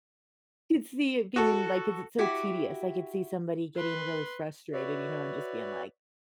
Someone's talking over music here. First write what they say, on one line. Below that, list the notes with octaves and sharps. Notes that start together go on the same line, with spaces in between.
could see it being like 'Cause it's so tedious, I could see somebody getting really frustrated, you know, and just being, like,
F#4 A4
E4 F#4 G4
B4 C6
F#4 B4 C#5 D5 E5